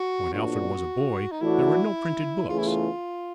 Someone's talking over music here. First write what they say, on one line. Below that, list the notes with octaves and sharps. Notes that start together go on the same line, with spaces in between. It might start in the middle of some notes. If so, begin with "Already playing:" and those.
When Alfred was a boy there were no printed books.
Already playing: F#4
A#1 A#2 F#3 B3 D4 F#4
D#4
A2 E3 A3 D4 E4 F#4
E2 C#3 E3 A3 F4
E4
F4